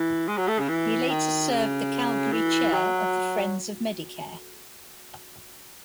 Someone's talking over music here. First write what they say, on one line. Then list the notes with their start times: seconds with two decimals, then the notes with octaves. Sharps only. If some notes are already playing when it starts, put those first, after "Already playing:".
He later served the Calgary chair of the Friends of Medicare.
Already playing: E3
0.28 G#3
0.38 F#3
0.48 A3
0.59 C#3
0.69 E3
1.09 D#3
1.50 C#3
2.32 E3
2.73 F#3